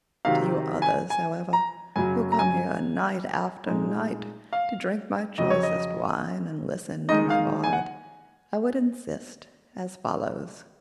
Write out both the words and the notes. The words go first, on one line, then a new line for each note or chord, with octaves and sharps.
To you others, however, who come here night after night to drink my choicest wine and listen to my bard, I would insist as follows.
C3 D#3 F#3 F5
G#5
G#5
A#5
F#2 C#3 F#3 G#5
A#5
G#5
A#2 G#3 D#4
F5
F2 C#3 F#3 D#5
C#5
D#5
D#3 G#3 D#4 D#5
F5
G#5
F#5